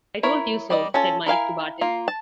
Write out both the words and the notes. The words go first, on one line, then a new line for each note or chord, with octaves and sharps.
"I told you so," said Mike to Barton.
E4 A#4 C#5
G3 D5 D#5
C#4 F4 A4
E4 A#4 F5 G#5
A#3 F4
A5